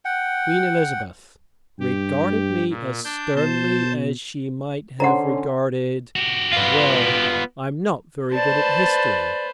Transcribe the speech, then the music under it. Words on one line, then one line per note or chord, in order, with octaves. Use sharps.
Queen Elizabeth regarded me as sternly as she might have regarded--Well, I'm not very good at history.
F#5 G5
G2 G4
A#2
D4 G6
B2 C5 A5 G6
D3 C#4 C5 C#5 F#5 A#5 C6
F#4 G4
B3 F4
B4 C5 D5 A5